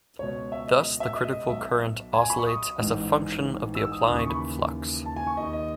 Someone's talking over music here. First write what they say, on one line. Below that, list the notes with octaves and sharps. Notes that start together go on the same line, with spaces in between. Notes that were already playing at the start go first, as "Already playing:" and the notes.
Thus the critical current oscillates as a function of the applied flux.
C#2 B2 C#5
E5
D#5
E5
D#5
D#5
B1 B2 E5
G#5
B5
C#6
D#6
A1 G#2 E3
E6
D#6
D#2 C#3 E3 D#6
C#6
B5
A5
G#5
C#6
D#2 D#3 D#5
D#5